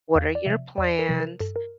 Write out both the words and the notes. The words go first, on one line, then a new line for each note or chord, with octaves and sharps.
What are your plans?
E2 F5
D5
C3 F3 E5
E2 D5
A#4
C3 F3
A#4
G2 A4
A#4